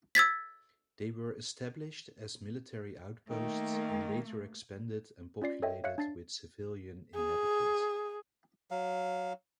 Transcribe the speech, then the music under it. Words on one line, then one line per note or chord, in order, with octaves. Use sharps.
They were established as military outposts and later expanded and populated with civilian inhabitants.
E6 G#6 A6 B6
D#3 A3 A#3
C#4 F4 D5 C7
A4 C#5 D#5 E5 G5
C#5 E5 F5 F#6 C#7
D4 A5 A6 C7
G#4
F#3 F5